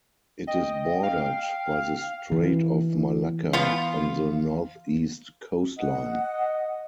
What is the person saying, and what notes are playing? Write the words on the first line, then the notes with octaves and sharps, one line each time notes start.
It is bordered by the Strait of Malacca on the northeast coastline.
D#5 G5
F5
E3
B3 F4
D#5 F#5